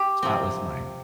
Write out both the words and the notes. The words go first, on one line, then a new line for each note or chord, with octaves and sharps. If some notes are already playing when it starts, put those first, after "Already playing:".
Spotless Mind.
Already playing: G4
C3 F3 C4